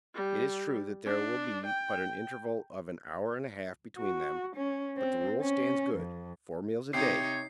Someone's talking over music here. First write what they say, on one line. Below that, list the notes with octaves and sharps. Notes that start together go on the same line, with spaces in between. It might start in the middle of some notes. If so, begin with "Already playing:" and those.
It is true that there will be but an interval of an hour and a half between them, but the rule stands good--four meals a day.
G3
D4
G5
F#4
C#4
C4
C#4
F2
C3 D#4 G4 C#5 C7